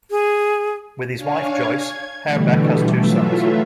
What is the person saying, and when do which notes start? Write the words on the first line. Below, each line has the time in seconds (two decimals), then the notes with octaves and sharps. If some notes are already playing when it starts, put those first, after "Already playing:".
With his wife Joyce, Herbeck has two sons.
0.11 G#4
1.16 D4 C#5 F5 G#5 C#6
1.66 G#6
2.25 B2 D3 E3 G3 A3
2.98 E3 F#3 A3 F4 E5